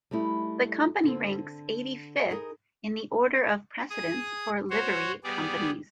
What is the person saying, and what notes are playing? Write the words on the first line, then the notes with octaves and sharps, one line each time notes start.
The Company ranks eighty-fifth in the order of precedence for Livery Companies.
G3 A3 D#4 E4
D3 C4
D#4 G#4 A#4
G#4 D#6
F#4 C5 C#5
G3 B3 G#4 D5